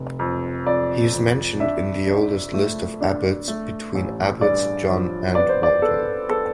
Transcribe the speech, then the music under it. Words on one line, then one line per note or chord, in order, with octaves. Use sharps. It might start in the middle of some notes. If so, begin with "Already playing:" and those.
He is mentioned in the oldest list of abbots between Abbots John and Waldo.
Already playing: F1
F2
F2 D5
F2
D4 E5
D4
A3
D4
A3
A1
G2 D5
F3
B3 D5
C5
D5
B3 A4
B3 A4